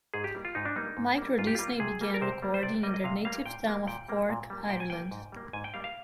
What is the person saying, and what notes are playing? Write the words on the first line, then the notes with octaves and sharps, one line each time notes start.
Microdisney began recording in their native town of Cork, Ireland.
G#2 G#4
G4
G3 A#3
F4
G#2 D#4
D4
G3 A#3 D#4
G#2
G3 A#3
G#2 F4
G4
G3 A#3 F4
C3 G#4
G3 A#3
A#4
C3 C5
G3 A#3
C5
C3 D5
G3 A#3 D#5
D#5
C3 F5
G3 A#3 F5
A#2 G5
G3 A#3
A#2 G5
G3 A#3
A#2
G3 A#3
A#2 G5
G#5
G3 A#3 G5
G#2
G3 A#3
G#2 G#5
G5
G3 A#3 F5
F5